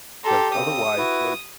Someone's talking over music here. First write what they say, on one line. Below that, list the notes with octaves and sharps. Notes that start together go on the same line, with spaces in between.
'cause otherwise, what
G4 A4 A#5 C6
C#3 C4 D#6
E4 F#4 B4